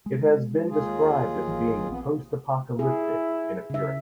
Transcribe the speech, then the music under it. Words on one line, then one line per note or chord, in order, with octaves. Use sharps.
It has been described as being "post-apocalyptic" in appearance.
G#3
D#2 F4 G#4
G#1 E3 F#3
A#1 B3 C4
E4 G#4
C#3 E5